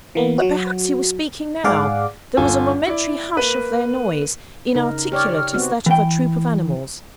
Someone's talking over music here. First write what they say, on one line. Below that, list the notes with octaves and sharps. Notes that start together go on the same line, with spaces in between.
But perhaps he was speaking now; there was a momentary hush of their noise, inarticulate as that of a troop of animals.
E3 A#3 B3
F#3 F#4
G#2 G#4 D5 F5 F#5 D6
G1 F4 A4 G#5
E4 D5
A#3 B4
C#3 D#4 A#4
G4 C#5 D5 F6
B3 C4 F#4
E3 G5